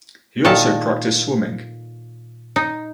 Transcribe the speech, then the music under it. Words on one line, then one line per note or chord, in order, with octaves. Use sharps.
He also practiced swimming.
A#2 D#3 A4 A5
D#4